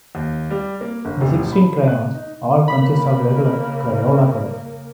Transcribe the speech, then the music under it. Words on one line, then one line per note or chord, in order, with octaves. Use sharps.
The sixteen crayons all consisted of regular Crayola colors.
D#2
G3
A#3
G1
F1
A1
B5
F#6
D#4
C#3 A#3 B5